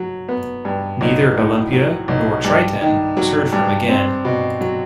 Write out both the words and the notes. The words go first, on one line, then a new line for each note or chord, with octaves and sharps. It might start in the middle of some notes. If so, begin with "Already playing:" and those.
Neither "Olimpia" nor "Triton" was heard from again.
Already playing: F#3
B3
G2
B1
A2
F#3
B1
G2
D#3
F#3
G2
C4
B2
F#3